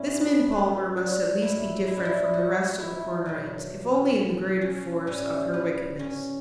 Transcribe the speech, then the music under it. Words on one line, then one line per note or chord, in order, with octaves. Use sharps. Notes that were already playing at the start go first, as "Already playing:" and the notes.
This Min Palmer must at least be different from the rest of the Cornerites, if only in the greater force of her wickedness.
Already playing: A2 G3 C#4 E4
B3
B3
D4
A2 F#3 E4
E4
D4
E4
F#4
E4
E2 B2 F#3
C#4
A2 G3 C#4
B3
C#4